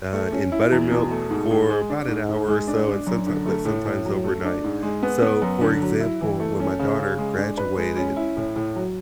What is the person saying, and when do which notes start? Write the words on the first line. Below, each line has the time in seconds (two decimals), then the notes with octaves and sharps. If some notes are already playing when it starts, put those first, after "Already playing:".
uh, in buttermilk for about an hour or so, and sometime but sometimes overnight. So, for example, when my daughter graduated,
0.13 A3
0.32 C#4
0.52 E4
0.72 E2
0.91 B2
1.11 A3
1.30 G#2
1.50 G#2
1.69 G#3
1.90 D4
2.08 G#2
2.28 G#2
2.48 G#3
2.67 D4
2.88 D4
3.07 F#2
3.27 D3
3.46 A3
3.65 A2
3.85 A2
4.05 F#3
4.24 A3
4.44 D4
4.64 G#2
4.83 G#3
5.03 B3
5.22 B3
5.42 F#2
5.61 D3
5.82 F#3
6.00 E4
6.21 E3
6.40 A3
6.60 C#4
6.79 C#3
6.99 C#3
7.18 G#3
7.38 D4
7.57 B4
7.77 G#3
7.96 C#4
8.16 E4
8.37 A2
8.56 A2
8.76 F#3